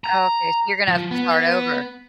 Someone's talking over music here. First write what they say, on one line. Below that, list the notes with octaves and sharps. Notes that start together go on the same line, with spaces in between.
Oh okay so you're gonna have to start over.
A#5
F3
B3